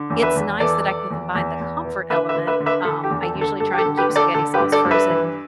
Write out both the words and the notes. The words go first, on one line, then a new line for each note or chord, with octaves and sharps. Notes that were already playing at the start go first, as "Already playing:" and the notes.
it's nice that I can combine the comfort element. Um, I usually try and keep spaghetti sauce frozen,
Already playing: D3
E2
B4 E5
E2
E3 A4 D5
E3
E2
E2
E2
E3
D3 B4 E5
B4 E5
D3
B4 E5
D3
B4 E5
D3 A4
G4
E2
A4
D3
A4
G2 A4
G4
A4
D3
G4 B4
D3
A4 D5
D3 A4
G4 B4
G2
A4 D5
G2
B4 E5
E3